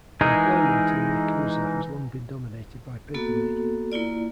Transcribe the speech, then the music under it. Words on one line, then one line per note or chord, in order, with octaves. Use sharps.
Employment in Nekoosa has long been dominated by paper making.
E3 G#3 D#4 G#4 A#4
A#3 B3 F#4 A4
A#3 E4 F4 D5